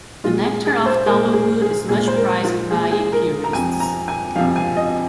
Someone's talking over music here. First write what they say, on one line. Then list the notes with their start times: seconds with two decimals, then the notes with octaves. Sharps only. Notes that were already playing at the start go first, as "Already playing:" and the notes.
The nectar of tallowwood is much prized by apiarists.
0.24 A#2 G#3 F4
0.44 G#4
0.65 G#4
0.86 C5
1.06 G#3 A#4
1.10 A#2
1.33 G#4
1.62 G#4
1.88 A#2 G#3 G#4
2.08 C5
2.16 A#4
2.43 F4
2.70 A#2 G#3 G#4
2.91 G#4
3.12 A#4
3.44 A#5
3.53 F2 C3 F3 G#5
3.80 A#5
4.08 G#5
4.35 F2 C3 F3 F5
4.56 G#5
4.77 D#5